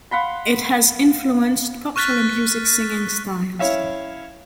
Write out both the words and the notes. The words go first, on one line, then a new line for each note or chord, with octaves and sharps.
It has influenced popular music singing styles.
F5 F#5 B5 C6
C#6 F6 F#6 A6 B6
C#4 E4 C#5 E5 F5